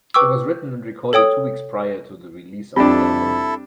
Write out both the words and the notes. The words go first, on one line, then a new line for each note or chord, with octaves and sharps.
It was written and recorded two weeks prior to the release of the album.
B4 G5 C#6 D6 E6
A4 C#5 G5 D#6
F2 G3 C4 D4 E4 A4 B5